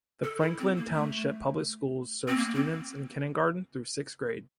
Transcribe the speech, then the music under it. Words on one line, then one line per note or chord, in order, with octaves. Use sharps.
The Franklin Township Public Schools serve students in kindergarten through sixth grade.
A4
E4
C4
A#3
A3
C4
A#3
C4